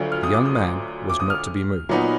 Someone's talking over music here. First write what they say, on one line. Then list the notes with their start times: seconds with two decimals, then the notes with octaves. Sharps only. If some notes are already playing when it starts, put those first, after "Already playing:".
The young man was not to be moved.
Already playing: D2 D3 F#3 D4 F4
0.12 F6
0.23 D#6
0.34 D6
0.46 D#6
1.10 D6
1.20 D#6
1.30 F6
1.89 A#2 F#3 B3 D#4